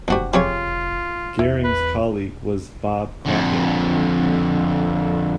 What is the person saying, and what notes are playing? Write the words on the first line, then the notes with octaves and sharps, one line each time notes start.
Garing's colleague was Bob Crockett.
F1 E2 G#2 D4 F#4 G4
F2 C3 F3 F4 G4 G#4 C#5
E2 E4
B4
F2 D3